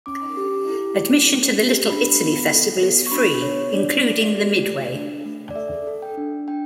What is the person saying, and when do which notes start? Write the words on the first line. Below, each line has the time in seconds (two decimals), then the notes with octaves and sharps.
Admission to the Little Italy Festival is free including the Midway.
0.06 C#4 D6
0.37 G4
0.67 E4
0.99 A3
1.29 C#4
1.59 G4
1.90 D4 B5
2.20 B3
2.51 A4
2.81 B3
3.07 C#6
3.12 D4 B5
3.42 B3 C#5
3.73 D4 D5
4.04 A3
4.34 G4
4.65 A3
4.96 D4
5.26 A3
5.51 D5
5.56 A4 E5
5.87 A4
6.02 G5
6.17 D4
6.48 D4 G5